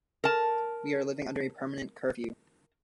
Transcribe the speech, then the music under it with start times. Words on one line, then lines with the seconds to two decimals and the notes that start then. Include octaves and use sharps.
We are living under a permanent curfew.
0.24 A#4 A5